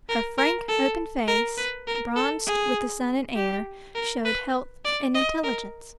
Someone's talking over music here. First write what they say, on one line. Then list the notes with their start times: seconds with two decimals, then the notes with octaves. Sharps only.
Her frank open face, bronzed with the sun and air, showed health and intelligence.
0.09 A#4
0.38 A#4
0.68 A4
1.28 A#4
1.58 B4
1.87 A#4
2.16 A4
2.47 G#4
3.36 G4
3.95 A#4
4.25 B4
4.85 D5
5.14 D#5
5.44 A#4